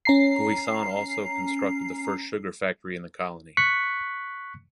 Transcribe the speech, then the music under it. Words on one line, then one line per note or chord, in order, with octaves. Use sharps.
Guisan also constructed the first sugar factory in the colony.
C#4 A#5 C7
C#6 F#6 B6 C#7